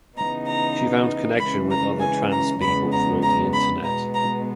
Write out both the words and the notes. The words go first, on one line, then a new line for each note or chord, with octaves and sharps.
She found connection with other trans people through the internet.
C#3 E3 B3 D#4 A#5
A#5
C#3 E3 G#3 C#4 B5
A#5
G#5
A#5
E2 C#3 G#3 B3 B5
A#5
A#5
B5
B2 G#3 B3 A#5
A#5